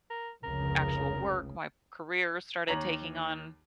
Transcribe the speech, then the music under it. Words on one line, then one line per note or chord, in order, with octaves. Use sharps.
actual work, my career started taking on
A#4
F1 C#2 C#3 A#4
D#2 C#5 A#5 A#6 F#7